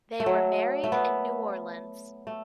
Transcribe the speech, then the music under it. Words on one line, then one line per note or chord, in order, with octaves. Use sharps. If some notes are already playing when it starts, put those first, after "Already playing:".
They were married in New Orleans.
A3
F#3
A3
B3
A3